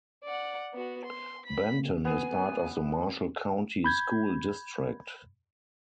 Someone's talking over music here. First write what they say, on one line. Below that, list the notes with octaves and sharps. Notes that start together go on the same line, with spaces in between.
Benton is part of the Marshall County School District.
D5 F#5
B3 F#4
C6
B5 B6
B3 G#5
B5 G6 G#6